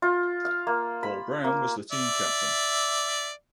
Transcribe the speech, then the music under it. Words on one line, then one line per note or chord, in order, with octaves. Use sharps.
Paul Brown was the team captain.
F4
F5
A#3
B5
A#3
D5 E5